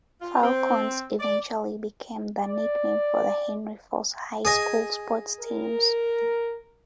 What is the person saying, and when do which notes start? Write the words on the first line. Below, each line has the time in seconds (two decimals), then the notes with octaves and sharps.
"Falcons" eventually became the nickname for the Henry Foss High School sports teams.
0.21 F4
0.43 C4
1.20 D5
2.40 D5
4.45 G#4 D#5 G#5
5.40 A#4